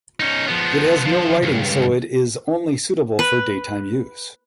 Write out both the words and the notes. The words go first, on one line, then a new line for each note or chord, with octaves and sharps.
It has no lighting so it is only suitable for daytime use.
C#4 D#4
F3 B3
D3 F3
C#2 G2
B4